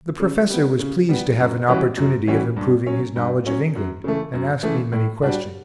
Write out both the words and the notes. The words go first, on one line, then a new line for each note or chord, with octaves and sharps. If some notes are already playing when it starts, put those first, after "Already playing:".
The professor was pleased to have an opportunity of improving his knowledge of England and asked me many questions.
C#3
G3 B3
C#3
G3 B3
F#2
E3 G3 C#4 F#4
F#2
E3 G3 C#4 F#4
G2
F#3 C#4
G2
F#3 C#4
F#2
C#3 E3 A3
F#2
C#3 E3 A3
A2
G3 D4 F#4